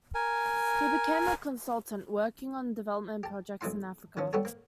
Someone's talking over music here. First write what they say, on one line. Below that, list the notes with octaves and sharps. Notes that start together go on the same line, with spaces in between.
He became a consultant, working on development projects in Africa.
A#4 G#5
G4 A5
B1 E3 D#4 E4 F5 C6
D#3 E3 C#4
G3 B3 F#4 G4 A4 C#5
A#3